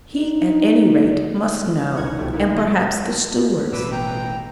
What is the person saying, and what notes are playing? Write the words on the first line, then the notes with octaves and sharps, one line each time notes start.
He, at any rate, must know, and perhaps the stewards.'
D#4
D#4 F#5 G#6
C2 B2 F3 G3 A3
A3 A#3 D#4 E4
C3 E3 G#3 F4 G#4 D#5
A1 B2 B4 D6 E6
G5 A#5